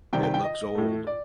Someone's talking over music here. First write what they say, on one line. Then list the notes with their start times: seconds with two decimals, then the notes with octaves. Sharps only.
It looks old.
0.13 C3 D#3 G3 G5
0.23 G5
0.34 G5
0.44 D#5
0.75 A2 A3
1.07 D5